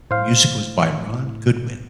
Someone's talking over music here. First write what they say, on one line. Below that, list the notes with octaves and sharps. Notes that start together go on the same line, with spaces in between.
The music was by Ron Goodwin.
A2 C5 F5